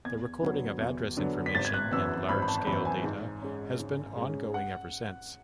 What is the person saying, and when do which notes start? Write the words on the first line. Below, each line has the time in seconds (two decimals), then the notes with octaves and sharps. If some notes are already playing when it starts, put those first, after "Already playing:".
The recording of address information in large-scale data has been ongoing ever since.
0.05 E2 G#6
0.42 D3 F#3 B3
0.80 E2
1.17 D3 F#3 B3
1.46 B6
1.55 G#1 A6
1.65 G#6
1.74 F#6
1.91 F#2 E3 B3 E6
2.29 G#1 B5
2.42 B5
2.48 A5
2.67 F#2 E3 B3 B5
2.85 G#5
3.04 G#2
3.42 G#3 C#4
3.79 G#2
4.16 G#3 C#4
4.54 F#5